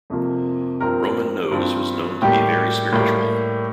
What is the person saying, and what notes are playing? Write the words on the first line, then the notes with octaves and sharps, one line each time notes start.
Roman Nose was known to be very spiritual.
F2 C3 F3 A#3
G2 F3 C4 A#4
G2 F3 C4
A2 G3 A#3 G4
A2 G3 A#3